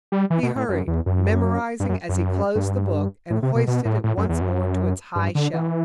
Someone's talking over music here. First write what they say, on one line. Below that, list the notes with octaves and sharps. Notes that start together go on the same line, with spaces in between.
He hurried, memorizing as he closed the book, and hoisted it once more to its high shelf.
G3
E3
B2
A2
F#2
E2
F#2
G2
F#2
F#2
G2
A2
C3
B2
B2
A2
A2
F#2
E2
F#2
G2
D3
E3